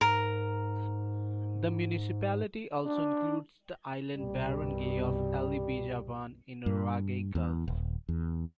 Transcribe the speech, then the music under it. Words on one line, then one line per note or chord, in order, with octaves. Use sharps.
The municipality also includes the island barangay of Alibijaban in Ragay Gulf.
G#2 A#4
D4
C2 G2 B2 G3
G2
E2
D#1
E2